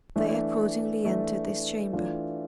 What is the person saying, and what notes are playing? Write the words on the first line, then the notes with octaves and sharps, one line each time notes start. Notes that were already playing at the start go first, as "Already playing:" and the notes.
They accordingly entered his chamber.
E3 A3 D4
E3 A3 D4
E3 A3 D4 F4